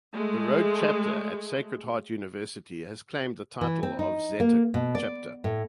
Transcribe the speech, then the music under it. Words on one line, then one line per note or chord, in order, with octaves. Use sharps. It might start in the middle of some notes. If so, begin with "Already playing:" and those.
The rogue chapter at Sacred Heart University has claimed the title of Zeta Chapter.
G#3 A3
E3
C4
D#4
A#3
B2
D5
A2